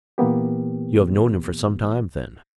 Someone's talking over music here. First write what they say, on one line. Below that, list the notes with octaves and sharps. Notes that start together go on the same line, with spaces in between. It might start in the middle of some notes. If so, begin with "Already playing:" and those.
"You have known him for some time, then?"
A#2 E3 A#3 B3 G4